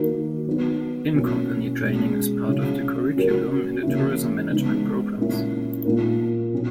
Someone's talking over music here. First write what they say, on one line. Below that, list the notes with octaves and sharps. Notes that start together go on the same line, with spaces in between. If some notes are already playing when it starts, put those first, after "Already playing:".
In-company training is part of the curriculum in the tourism management programmes.
Already playing: D#3 A#3 D#4 F#4 A#4
F#3 B3 D#4
B2 F#3 A#3 C#4 E4
B2 G#3 C#4 G#4
C#3 F#3 C#4 E4
F#3 C#4 F#4 A#4
C#3 E3 A#3 E4
C#3 G#3 B3 D#4
A#2 A#3 C#4 E4
A#2 A#3 D#4 A#4
B2 F#3 C#4